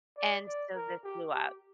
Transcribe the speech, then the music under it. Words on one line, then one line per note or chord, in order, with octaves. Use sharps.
And so this blew up.
D5
D5
A#4
G4
G4